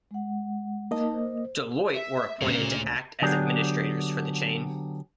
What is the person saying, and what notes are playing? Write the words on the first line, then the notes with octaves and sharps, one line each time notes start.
Deloitte were appointed to act as administrators for the chain.
G#3 F#5
A#3 D#4 D#5 A5
C5
E5
D2 A#2 C#3
D3 F#3 B3 D4 G4 G#4